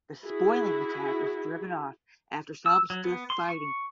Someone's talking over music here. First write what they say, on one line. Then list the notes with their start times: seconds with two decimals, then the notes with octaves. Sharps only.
The spoiling attack was driven off after some stiff fighting.
0.24 E4 F#4 G#4
2.66 E6
2.90 F#3
3.04 B3
3.30 C6
3.49 C#6